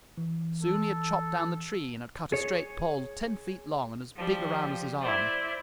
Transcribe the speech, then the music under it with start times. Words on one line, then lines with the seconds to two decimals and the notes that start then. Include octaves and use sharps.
Soon he had chopped down the tree and had cut a straight pole ten feet long and as big around as his arm.
0.18 E3
0.63 A4
2.32 G#4 C#5
4.15 F3 G3
5.00 E4 C5 D5